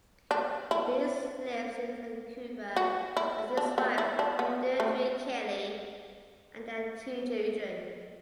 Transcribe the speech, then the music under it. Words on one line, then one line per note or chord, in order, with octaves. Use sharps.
Beers lives in Vancouver with his wife Deirdre Kelly, and their two children.
D4
E4
F#4
E4
D4
B3
E4
D4
B3
A3